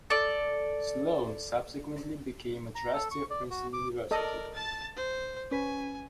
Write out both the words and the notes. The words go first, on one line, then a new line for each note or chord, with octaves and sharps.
Sloan subsequently became a trustee of Princeton University.
A4 D5
A#5
A4
C#6
D5
F#4
D6
A4 A#4 D5 D#5
A5 A6
C5
C#4 B4 G#5